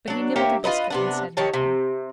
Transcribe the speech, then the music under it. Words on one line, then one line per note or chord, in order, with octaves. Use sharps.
But he nibbled a biscuit, and said nothing.
F#3 D4
A#3 G4 C#5 E5
F4 A4 B4 D#5
C3 B3 D4
D#3 G4 C#5 A5
C3